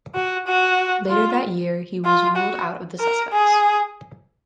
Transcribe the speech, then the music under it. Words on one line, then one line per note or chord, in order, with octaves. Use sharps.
Later that year, he was ruled out of the suspects.
F#4
F#4
F4
F4
F#4
A#4
G#4